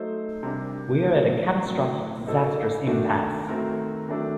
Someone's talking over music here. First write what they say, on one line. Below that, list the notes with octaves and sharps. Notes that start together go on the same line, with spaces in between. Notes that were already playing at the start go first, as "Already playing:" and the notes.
We are at a catastrophic, disastrous impasse.
Already playing: F#3 A3 D#4 A4 C5
C3 G3 A#3 D4 G4
A2 F#3 A#3
A2 F#3 C4
F#3 A#3 D#4 A4 C5
D#3 A3 D4 F#4
D#3 A3 C4 F#4 A#4
D#3 F#3 A3 D4 A4